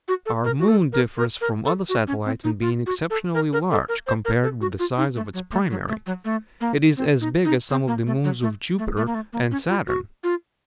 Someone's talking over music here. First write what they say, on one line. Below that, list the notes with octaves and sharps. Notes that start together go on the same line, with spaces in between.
Our moon differs from other satellites in being exceptionally large compared with the size of its primary; it is as big as some of the moons of Jupiter and Saturn.
F#4
A4
A#4
F#4
A4
A#4
A#4
A#4
A4
F#4
C#4
C4
D#4
F4
F#4
A4
A#4
A#4
A4
A#4
C5
A#4
A4
F#4
F4
D#4
A3
F#3
A3
F#3
A3
F#3
A3
A#3
C4
D#4
D#4
C4
A#3
A3
F#3
A3
A3
A3
A#3
A3
A#3
C#4
F4
F#4
F4